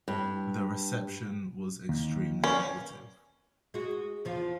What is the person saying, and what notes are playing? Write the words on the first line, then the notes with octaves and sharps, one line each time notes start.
The reception was extremely negative.
G2
D#2
C#4 A#4 B4 D5
G#3 F#4
E2 F3 F4